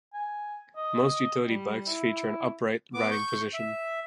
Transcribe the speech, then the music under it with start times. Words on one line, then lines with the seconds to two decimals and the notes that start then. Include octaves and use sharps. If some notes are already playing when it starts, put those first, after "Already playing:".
Most utility bikes feature an upright riding position.
0.13 G#5
0.77 D#5
1.48 G3
1.87 E4
2.94 B3 D6
3.11 C#6 G6
3.54 E5